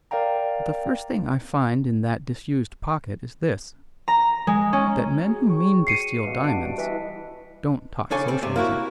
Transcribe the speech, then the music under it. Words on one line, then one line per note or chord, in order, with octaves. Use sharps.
But the first thing I find in that disused pocket is this: that men who mean to steal diamonds don't talk Socialism.
A#4 D5 F5 G5 A#5
A#5
G#3
C#4
F#4 G#4
C#5 G5
C7 C#7 D#7
G2 B2
D4 D7
E3 B4 D#5 B6
C#3 D4 A4 C#5 G#5
C4
C3
A#3 E4 F#4